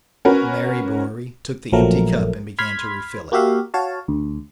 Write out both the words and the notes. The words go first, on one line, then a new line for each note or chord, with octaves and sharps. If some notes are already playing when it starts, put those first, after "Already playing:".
Mary Bewery took the empty cup and began to refill it.
C#4 F#4 A#4 B4
A#1 F3 F#3 A3 A#4
B5 C6 F6 G#6 B6
A#3 F#4 G4 E5 F5
F#4 C#5 F5 A5
D2